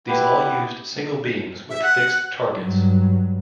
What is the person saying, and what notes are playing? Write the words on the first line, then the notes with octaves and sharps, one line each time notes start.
These all used single beams with fixed targets.
B3 E4 G4 B4
E5
F#5
G2 F#3